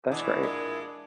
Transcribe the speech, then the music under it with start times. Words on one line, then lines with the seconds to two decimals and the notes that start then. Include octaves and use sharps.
That's great.
0.12 B2 E3 D4 E4 G#4
0.43 A#2 G#3 A#4